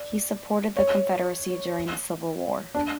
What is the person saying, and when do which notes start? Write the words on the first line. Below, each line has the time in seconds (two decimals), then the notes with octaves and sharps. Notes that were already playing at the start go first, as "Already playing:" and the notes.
He supported the Confederacy during the Civil War.
Already playing: D5
0.77 C#5
2.75 D4